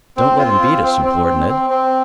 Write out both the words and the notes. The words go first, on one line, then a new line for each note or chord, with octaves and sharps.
"Don't let him beat us," implored Ned.
C4
F4
C4
C4
C4
C4
C4
C4